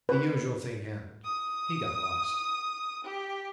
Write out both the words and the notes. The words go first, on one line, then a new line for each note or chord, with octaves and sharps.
The usual thing happened; he got lost.
B4
D#6
G4